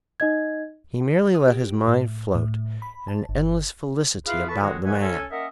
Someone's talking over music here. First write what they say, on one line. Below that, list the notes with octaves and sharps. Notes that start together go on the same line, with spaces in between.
He merely let his mind float in an endless felicity about the man.
D#4 D#5 G#6
D#6
G4
A2
A2
B5
A5
G1
E4 F4 G#4 B4 F5
A4 B4 A5 B5 C#6
A2 D3 D#3 G#3 F#4
A#2 F3 E5 F#5 G#5
C#4 A4 G#5
A#3 C#4 A#4 D#5 E5 F#5